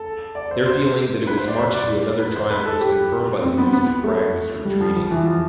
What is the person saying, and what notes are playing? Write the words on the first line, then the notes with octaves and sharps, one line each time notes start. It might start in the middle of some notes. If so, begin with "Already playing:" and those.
Their feeling that it was marching to another triumph was confirmed by the news that Bragg was retreating.
Already playing: A4
D5
C5
C5
B4
C5
D5
C5
D5
B4
C5
B4
A4
G4
C4
B3
B3
A3
G3
F3
F3
E3
F3